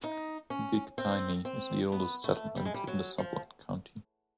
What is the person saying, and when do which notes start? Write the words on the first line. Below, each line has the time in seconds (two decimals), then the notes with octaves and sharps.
Big Piney is the oldest settlement in Sublette County.
0.04 D#4
0.50 C#4
0.98 C4
1.45 C4
1.92 B3
2.24 A3
2.56 G3
2.65 G#3
2.74 G3
2.87 F#3
3.18 F3